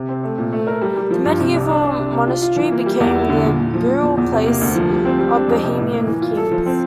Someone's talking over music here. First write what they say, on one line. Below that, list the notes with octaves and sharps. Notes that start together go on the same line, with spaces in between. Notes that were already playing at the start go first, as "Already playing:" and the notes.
The medieval monastery became the burial place of Bohemian kings.
Already playing: C3
C4
A3
A#2
A3
A#4
G3
G3
F3
G2
C3
C2
D4
D4
C3
C3
F4
F4
E3
A#3
G3
E2
E4
D3
A#2
A#2
F3
F3
E2
E2
C3
A#3
D2
F3
G3
C4
G3
D4
F2
C3
A2
A#3
E3
F4
A4
F3
C4